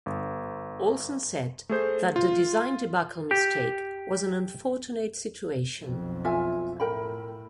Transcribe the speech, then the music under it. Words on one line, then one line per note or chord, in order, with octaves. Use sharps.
Olsen said that the "design debacle" "mistake" was an "unfortunate situation".
G1
A3 G#4 C5 G6
F4
G4
B1 F2
F4 E5 G#5
A2 A#4 G5 B5